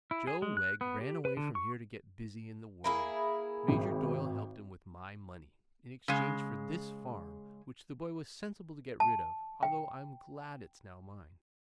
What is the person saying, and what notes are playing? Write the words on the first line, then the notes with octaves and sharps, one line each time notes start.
Joe Wegg ran away from here to get busy in the world. Major Doyle helped him with my money, in exchange for this farm, which the boy was sensible to get rid of--although I'm glad it's now mine.
E4
G#4
G#3
F#6
B3
G4
B4
D3
C#6
A#3 E4 G#4
G#1
C#3 G#3
A5
G5